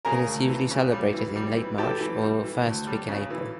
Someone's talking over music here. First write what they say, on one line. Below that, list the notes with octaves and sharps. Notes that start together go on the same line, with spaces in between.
It is usually celebrated in late March or first week in April.
C#3 G#4 A#4
D2
E3
C#3
G3
E3
G3
E3
E3 G4 A4
E3
G3
E3
D2
G3
C#3
E3